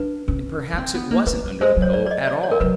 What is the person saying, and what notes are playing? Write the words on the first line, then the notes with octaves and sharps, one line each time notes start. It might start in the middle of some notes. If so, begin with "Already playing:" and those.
And perhaps it wasn't under the pillow at all....
Already playing: D4 B4
C#4
C#4
C4
B3
A#3
A3 B4
G3
G#3 C5
F#3
C#5
D5
D5
D#5
D5
C#5
A#4
F#3 B4